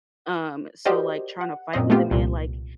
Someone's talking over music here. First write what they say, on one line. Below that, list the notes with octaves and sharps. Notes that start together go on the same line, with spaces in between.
um, so, like, tryna to fight with a man, like,
F#4 G4 A#4 C5 D5 D#5
F#5
F#2 A#2 C4 D#5
A3 B3 C4 F4 G4
C2 A#2